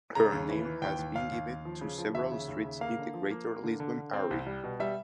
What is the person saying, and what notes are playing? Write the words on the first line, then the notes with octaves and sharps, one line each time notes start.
Her name has been given to several streets in the Greater Lisbon area.
C#3 A#5
D#2
E3
E3
D#2 G5
D#2
D#2 F5
D#2
D#2
F3
C#3
F3
D#2 E5
C#3
D#2
C#3
A#3 F5
D3
F3
A#3
A#3
D3
D3
D3
C4
C2
G3
B2
G3 E5